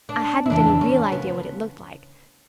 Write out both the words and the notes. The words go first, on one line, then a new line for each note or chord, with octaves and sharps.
I hadn't any real idea what it looked like.
D4
E4
E2 C#3 E3 D4
C#4
C#3 B3